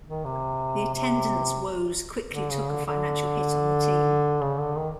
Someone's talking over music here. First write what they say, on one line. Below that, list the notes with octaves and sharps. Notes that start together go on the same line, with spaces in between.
The attendance woes quickly took a financial hit on the team.
D#3
C3
C3
D3
C#3
D3
D3
C#3
D3
D#3